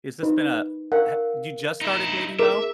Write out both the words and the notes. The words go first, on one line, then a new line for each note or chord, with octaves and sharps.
Is this been a ha you just started dating, though?
D#4 B4
A#4 F5 F#5
D#4 E4
G#4 A#4 E5